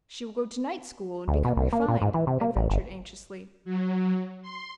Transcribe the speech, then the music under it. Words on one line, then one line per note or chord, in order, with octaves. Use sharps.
"She will go to night school and become refined?" I ventured anxiously.
D2
B2
C2
A#3
A#2
G#2
E3
C3
A#3
A1
G1
F#3
C6